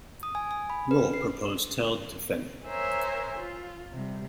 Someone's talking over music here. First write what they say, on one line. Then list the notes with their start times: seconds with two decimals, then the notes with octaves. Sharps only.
Rohl proposed Tell Defenneh.
0.23 D#6
0.35 G#5
0.51 G#5
0.70 B5
0.91 B4
1.14 C7
2.69 A#4 C5 C#5 E5 G#5 A#5
3.39 F4
3.93 C3 G3